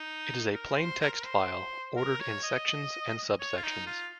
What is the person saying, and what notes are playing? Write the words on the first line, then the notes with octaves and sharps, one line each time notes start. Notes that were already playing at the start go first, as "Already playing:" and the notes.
It is a plain text file ordered into sections and subsections.
Already playing: D#4
A#4
C5
A#4
A#4
C5
A#4
C#5
D#5
C#5
F4
D#4
F4